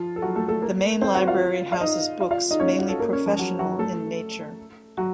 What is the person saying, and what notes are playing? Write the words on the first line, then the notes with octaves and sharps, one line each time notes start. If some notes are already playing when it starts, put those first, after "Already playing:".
The Main Library houses books, mainly professional in nature.
Already playing: F3 F4
A4
F#3 F#4
A3 A4
A3 A4
A#3 A#4
C4 C5
F#4 F#5
F4 F5
F5
D#4 D#5
F4 F5
F4 F5
D#4 D#5
C#4 C#5
F#4
A4
A#3 A#4
C#4 C#5
F3 F4
F#3 F#4
F#3 F#4
A3 A4
F#3 F#4